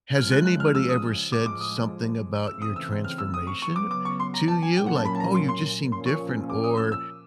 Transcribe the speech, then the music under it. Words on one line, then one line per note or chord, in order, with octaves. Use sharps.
has anybody ever said something about your transformation to you? Like, "Oh, you just seem different," or
C#3 F3 G#3 F6
F#6
F#6
F6
E6
D#6
A2 F3 G#3 D6
D6
D#6
C#3 E3 A3 C4 E6
D#6
E6
F6
E6
D#6
C#6
C#3 F#3 B3 C#6
D6
D6
C#6
C6
A#5
A5
G#5
A#2 F#3 A#3 C#4 G5
F#5
A5
B5
A5
A#5
C6
C6
A#2 F3 A#3 C#4 C6
C#6
D6
D#6
E6
E6